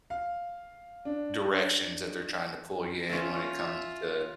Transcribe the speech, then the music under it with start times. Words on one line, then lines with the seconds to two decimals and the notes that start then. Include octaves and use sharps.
directions that they're trying to pull you in when it comes to
0.10 F5
1.05 D4
3.09 C#4 F4 E5
3.59 E5